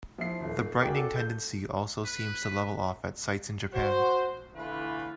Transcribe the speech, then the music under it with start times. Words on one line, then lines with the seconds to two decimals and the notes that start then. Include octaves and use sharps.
The brightening tendency also seems to level off at sites in Japan.
0.18 F3 E4 C7
0.41 D#1
0.81 F#4 G#4 A#4 D5 G5 D6
0.96 A4
1.16 G6
2.05 B4
3.74 F#4 C5
4.56 D3 E3 A3 E4 F4 B4